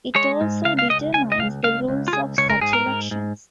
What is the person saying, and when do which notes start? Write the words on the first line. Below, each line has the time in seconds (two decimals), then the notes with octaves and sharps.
It also determines the rules of such elections.
0.15 G#3 C#5
0.41 G#2
0.65 C#2 F5
0.79 F5
0.90 C#2 D#5
1.14 C#2 G#5
1.32 D#5
1.39 C#2 F5
1.64 C#2 F5
1.88 C#2
2.08 F4
2.13 C#2 G#4
2.38 C#2 C#5
2.50 A#4
2.61 G#2 G#4
2.73 A#4
2.87 G#2
3.11 G#2